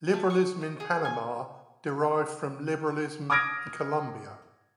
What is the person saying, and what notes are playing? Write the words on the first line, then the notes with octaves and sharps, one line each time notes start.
Liberalism in Panama derived from liberalism in Colombia.
A3
C#6
D#5
G#4
G#5
D6 D#6 F6 G#6 A#6 D7